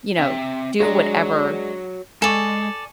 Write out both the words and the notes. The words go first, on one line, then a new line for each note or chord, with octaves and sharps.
you know, do whatever
C4 E5
G#3 D4 F#4 C#5 A#5
G#3 A4 D5 G#5 C#6